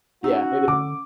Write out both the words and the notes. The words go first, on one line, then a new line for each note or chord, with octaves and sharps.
Yeah, it is
C#4 D#4 F#4 F#5 E6
D3 D6